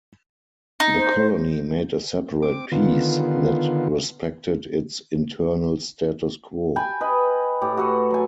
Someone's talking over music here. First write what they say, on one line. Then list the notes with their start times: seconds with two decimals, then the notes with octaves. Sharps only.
The colony made a separate peace that respected its internal status quo.
0.80 D#4
0.97 C5
2.42 C4 D6
2.72 D3 D#3 B3 F4
6.76 G5 G#5 B5
7.01 B4 D#5
7.62 A2 G4
7.77 F#4 A4 B4
8.11 F#3 G#5